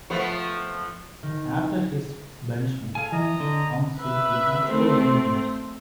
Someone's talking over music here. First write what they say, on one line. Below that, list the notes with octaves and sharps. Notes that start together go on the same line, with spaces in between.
After his banishment, Hongshi did not show any remorse.
F3 A3 B3
D#3
G#4 A4 F5 G#5
E3 D#5 A#5
D3
B4 E5
A3 C4